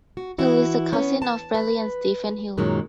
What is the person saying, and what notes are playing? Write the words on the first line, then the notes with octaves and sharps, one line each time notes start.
Hill is the cousin of Bradley and Stephen Hill.
F#4
E3 E4 F#4
B3 C#4
A5
B4
F#2 A#2 D#3 F#3 G#3 D#4